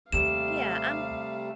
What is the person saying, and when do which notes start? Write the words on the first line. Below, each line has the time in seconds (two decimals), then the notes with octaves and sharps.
Yeah, I'm
0.12 D#2 C3 G3 A3 F5 E7